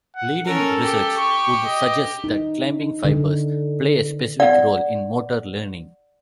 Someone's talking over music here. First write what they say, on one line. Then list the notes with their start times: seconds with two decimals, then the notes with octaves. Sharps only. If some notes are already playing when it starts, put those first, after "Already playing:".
Leading research would suggest that climbing fibers play a specific role in motor learning.
0.16 F#5
0.45 C#4 A4 A#4
0.82 G4
1.17 C#6
1.65 D#5
2.24 D#4
3.04 D3
4.40 D5 F#5